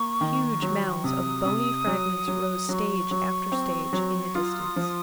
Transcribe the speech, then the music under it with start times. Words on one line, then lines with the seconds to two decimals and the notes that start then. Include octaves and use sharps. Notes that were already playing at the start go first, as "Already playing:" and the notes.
Huge mounds of bony fragments rose stage after stage in the distance.
Already playing: A#3 C#6
0.21 D#3
0.62 F#3
1.04 C3 D#6
1.46 C3
1.87 F#3
2.28 F#3
2.69 F#3 D#6
2.73 C#6
3.11 F#3
3.52 C4
3.93 F#3
4.35 F4 D#6
4.76 F3